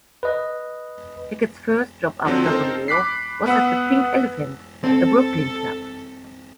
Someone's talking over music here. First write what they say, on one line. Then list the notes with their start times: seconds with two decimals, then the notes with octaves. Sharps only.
Hackett's first job after the war was at the Pink Elephant, a Brooklyn club.
0.23 B4 D#5
2.25 D3 F3 F#3 C4
2.44 C4 D#4 A4 A#4 C5
2.88 B5 D6 F#6 B6 C7
3.46 B3 B4 F#5 D#6 E6
4.84 C4 A4